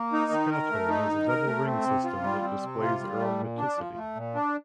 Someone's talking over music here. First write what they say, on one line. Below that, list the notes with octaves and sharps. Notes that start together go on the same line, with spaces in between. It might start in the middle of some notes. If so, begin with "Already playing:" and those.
Skatole has a double ring system that displays aromaticity.
Already playing: A#3
D#4
D#3
A#4
A3
D#4
D#3
A#4
A3
C4
C3
F4
G3
C4
C3
F4
G3
A3
A#2
D4
F3
A3
A#2
D4